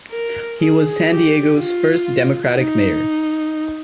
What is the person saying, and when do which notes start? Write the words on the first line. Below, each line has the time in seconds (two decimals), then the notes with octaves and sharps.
He was San Diego's first Democratic mayor.
0.11 A#4
0.60 G#4
1.10 G4
1.59 F4
2.58 D#4